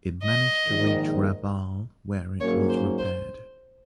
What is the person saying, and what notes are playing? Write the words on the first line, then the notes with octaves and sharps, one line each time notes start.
It managed to reach Rabaul, where it was repaired.
D#5
A#1 G#2 D#3
G#2 F#3 A#3 C#4 C#5
C5
C5